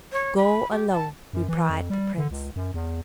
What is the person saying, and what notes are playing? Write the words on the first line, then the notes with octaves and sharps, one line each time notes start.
"Go alone," replied the prince.
C#5
B5
G4
A5
F#2
E3
F2
G3
D3
C#2
F#2
E2